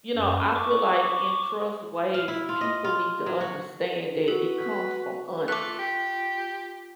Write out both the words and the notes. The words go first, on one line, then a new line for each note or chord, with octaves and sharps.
you know I feel like in trust ways, people need to understand that it comes from honest.
F#2
C#6 D6
F5
E4
F4
D#5
F4
F#3
F#4
F#4 A4 B4
A3 F4 D6 F#6
G4